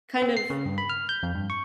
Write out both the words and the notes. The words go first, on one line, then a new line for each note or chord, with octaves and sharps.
kind of
C4
C7
C#3
G2
B5
F6
G6
F2
G2
C#6